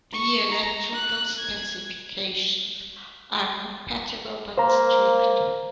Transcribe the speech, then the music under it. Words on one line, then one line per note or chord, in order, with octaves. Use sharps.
The electrical specifications are compatible, but stricter.
C#6
A#5
F#6
G#6
A#3 C5 A#5